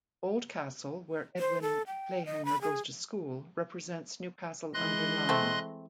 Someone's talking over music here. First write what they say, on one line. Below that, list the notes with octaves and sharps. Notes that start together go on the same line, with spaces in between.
Oldcastle, where Edwin Clayhanger goes to school, represents Newcastle-under-Lyme.
C5
A4
G5
D#5
B5
G#4
E3 G#3 D#5 C6 F#6
A3 C4